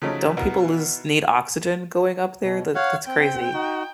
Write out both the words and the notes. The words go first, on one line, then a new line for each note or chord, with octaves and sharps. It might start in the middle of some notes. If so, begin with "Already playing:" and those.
don't people lose need oxygen going up there, that that's crazy?
C#3 F3 F#3 A3 C#4 D#4
B2 B3 E4 A#4
B2
C#5 F5 F#5
C4 G5
D#4 F#4